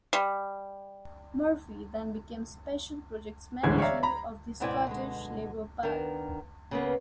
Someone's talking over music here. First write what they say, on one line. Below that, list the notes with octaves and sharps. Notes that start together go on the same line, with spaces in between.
Murphy then became Special Projects Manager of the Scottish Labour Party.
G3
D1 G1 D2 E3 G#3 G#6
C#5 D5 E5 F5 A#5
A#5 B5
G#2 B2 C4 E4 D5 G#5
B2 D3 G#3
D#3 B3 D4 A#4
C#3 A#3 B3